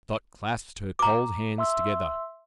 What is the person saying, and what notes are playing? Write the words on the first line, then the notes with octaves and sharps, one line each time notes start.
Dot clasped her cold hands together.
A#5 D6
E5 C6 E6